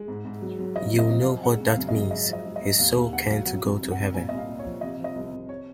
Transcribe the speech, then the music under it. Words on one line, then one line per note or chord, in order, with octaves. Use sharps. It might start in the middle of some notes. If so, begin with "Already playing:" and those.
You know what that means; his soul can't go to heaven.
Already playing: G#3
G#2
G#2
F#3
F#3
F3 D#5
C3
D#5
F3
F5
C3
G#3 F#5
C#3
F5
F#2
D#5
F#2
G#2 D#5
F3 D#5
G#3
D#5
G#2
D#2 F5
D#2 F5
C#3 F#5
F#3 F5
F#3 F#5
C2
C2
F#5
C2
A#2 G#5
C2 D#5
F5
A#2
C#5
F3
C3 D#5
F3
D#5
C2
C3
C#5